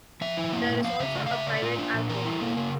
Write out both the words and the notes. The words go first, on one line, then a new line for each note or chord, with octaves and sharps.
There is also a private airport.
F3 E5
E4
A#3
A#2
F3 F5
C#3 E5
A3 D5
F5
C#3 E5
A3 D5
F4
D4
A#2
E3 A#4
E4
A#3 A4
C#3 A#4